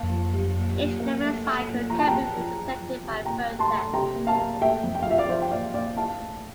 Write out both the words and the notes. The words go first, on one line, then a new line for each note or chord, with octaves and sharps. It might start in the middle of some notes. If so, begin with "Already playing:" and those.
Each flavor cycle can be represented by a vertex.
Already playing: A#3 F5 A5
F3
G2
A#2
A#2
A#3
A3
A3
A#2
F3 A#5
A5
G5 A#5
E2
F3
F3
F3
C3
A#2 G5 A#5
A3
A5 C6
A3
C3 G5 A#5
A#3
F5 A5
A#3
A3 E5 G5
F2
G5
F5
F3 E5
D5 F5
F3 C5 E5
G5
A#2 D5 F5
A#2 D5 F5
E3 F5 A5
A2